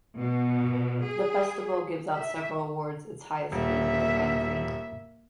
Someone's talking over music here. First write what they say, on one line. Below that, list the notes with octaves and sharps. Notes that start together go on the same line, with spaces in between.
The festival gives out several awards, its highest being the Grand Prix.
B2
G#4
E5
D#1 A#3 E5